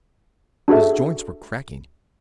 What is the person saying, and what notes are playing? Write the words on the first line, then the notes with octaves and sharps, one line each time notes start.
His joints were cracking.
D4 F#4 G#4 A4 E5